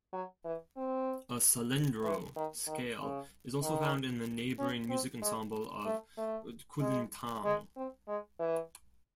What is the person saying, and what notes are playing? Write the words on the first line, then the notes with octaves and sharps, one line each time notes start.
A "salendro" scale is also found in the neighboring musical ensemble of Kulintang.
F#3
E3
C4
E3
D#3
D#3
C#3
D#3
C#4
C4
G#3
A3
A3
G#3
G#3
C4
G#3
E3